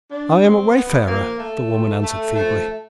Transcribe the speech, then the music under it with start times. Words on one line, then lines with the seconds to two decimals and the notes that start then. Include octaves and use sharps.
"I am a wayfarer," the woman answered feebly.
0.11 D4
0.42 B2 F#3 C4
0.75 B3
1.07 A#2 F3 A#3
1.39 A3
1.71 A2 F3
2.02 A3
2.35 A2 F3 A3